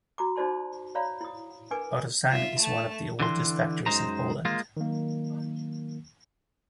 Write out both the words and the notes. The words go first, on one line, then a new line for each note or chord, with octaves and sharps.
Autosan is one of the oldest factories in Poland.
F#4 A#5 D6
D#4 F#4 C5 D5 A5 C6
C#5 D5 F5 A#5 B5
E4 D#6
D4 A#4 B4 G#5 D6
F4 E5
A3 A5
D3 E3 C6
F#2 E3 G#3 D#4 C5 A#5
G#3 A#3 F4
D#3 F#3 A#3